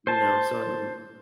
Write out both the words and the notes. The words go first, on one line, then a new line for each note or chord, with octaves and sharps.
you know, so I'm
C5 A5